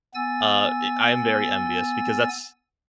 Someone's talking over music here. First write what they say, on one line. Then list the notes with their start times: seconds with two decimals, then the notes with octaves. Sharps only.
uh, i I am very envious because that's
0.14 B3 G#5 E6 A6